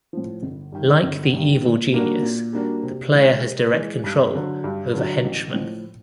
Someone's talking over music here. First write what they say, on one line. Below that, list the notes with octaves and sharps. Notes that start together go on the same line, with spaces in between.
Like the Evil Genius, the player has direct control over "Henchmen".
A2 F3
G1
G2 D#3
G1
G2 D#3
A#2
G3 A#3 D4 F#4
A#2
G3 A#3 D4 F#4
C3
E3 G#3
C3
E3 G#3
G2
D3 F#3
G2
D3 F#3
A1
A2 F3